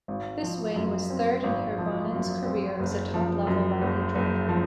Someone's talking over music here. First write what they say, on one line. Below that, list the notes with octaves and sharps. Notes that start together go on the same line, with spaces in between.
This win was third in Hirvonen's career as a top level rally driver.
G#1
F3
F#2
C4
G#1
F3
F#2
C4
F#1
F3
F#2
F#1
F#1
F3